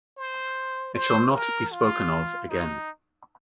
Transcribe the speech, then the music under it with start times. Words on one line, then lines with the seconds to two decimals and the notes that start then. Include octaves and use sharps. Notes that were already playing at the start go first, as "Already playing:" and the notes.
It shall not be spoken of again.
0.18 C5
0.94 C5
1.33 A#4
1.72 F4
2.50 D#4